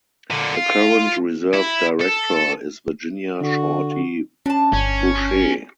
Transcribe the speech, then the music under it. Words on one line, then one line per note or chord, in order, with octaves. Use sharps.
The current reserve director is Virginia "Shorty" Boucher.
A#2 D3
F4
E4
A4
D3 F#4
C#4 D4 A5
G1 C#4